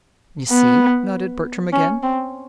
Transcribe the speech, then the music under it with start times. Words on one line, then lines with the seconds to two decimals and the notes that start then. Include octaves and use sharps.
"You see," nodded Bertram again.
0.51 B3
1.73 C#4
2.03 C4